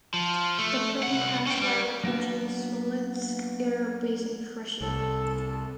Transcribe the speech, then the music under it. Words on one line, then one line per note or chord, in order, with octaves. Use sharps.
The plane crashed while approaching Smolensk Air Base in Russia.
F3
A3
C2 F#5
C#4 G5
G3
F#3 A#3 B3 D4 F#4
C2 A4